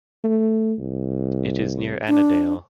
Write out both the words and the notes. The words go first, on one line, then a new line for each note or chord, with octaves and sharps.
It is near Annadale.
A3
C2
D4